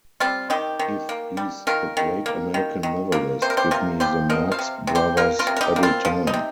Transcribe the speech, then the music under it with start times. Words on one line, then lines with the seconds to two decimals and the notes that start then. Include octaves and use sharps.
If he's the great American novelist, give me the Marx Brothers every time.
0.20 G3 C4 F4
0.50 D#3 D#4 G4
0.79 D#3
1.09 A#3
1.37 G3
1.67 D#3 F4 A#4
1.97 D#3
2.26 A#3
2.54 D#3
2.83 D#3
3.12 A#3
3.42 C3 C5
3.50 A#4
3.57 G4 C5
3.71 C3 F4 A#4
4.00 F3 G4 C5
4.30 F3 A#4 D#5
4.52 C5 F5
4.59 C3
4.87 C3
4.95 G4 C5
5.17 A#3 F4 A#4
5.39 F4 A#4
5.47 C3
5.57 A#4
5.61 D#4 G4
5.76 A#3
5.83 C4 F4
6.05 F3
6.27 D#4
6.34 C3